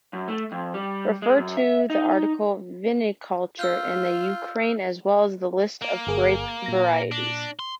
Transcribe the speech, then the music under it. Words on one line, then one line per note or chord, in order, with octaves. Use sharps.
Refer to the article viniculture in the Ukraine as well as the list of grape varieties.
F#2
A3
F2
G3
G#3
F#2
E5
D#4
F4 E6 F6 G6
A#3
G1 G#4 A#4
A#2 A#6
D4
C6